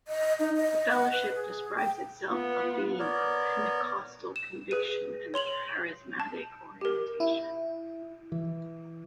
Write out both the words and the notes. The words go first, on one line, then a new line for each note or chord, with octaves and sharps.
The fellowship describes itself as being "of Pentecostal conviction and Charismatic orientation".
D#5
D#4
D#5
F#5
B4
G#4
G5
B3 F4
B3 A#4 C#5 D5
E7
G#4 B4 D#7
C#5 C6 F7 F#7
A5
G4 A#4
E4
E3